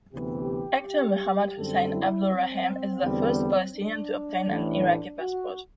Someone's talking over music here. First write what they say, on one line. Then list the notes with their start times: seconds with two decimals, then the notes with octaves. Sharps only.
Actor Muhammad Hussein Abdul Rahim is the first Palestinian to obtain an Iraqi passport.
0.13 D2 C3 E3 B3 G4
1.58 F#2 D3 G3 C4 A4
1.94 E4
2.30 C4
3.03 E2 D3 G3 B3
3.75 D4
4.47 A1 A2 E3
5.20 F#4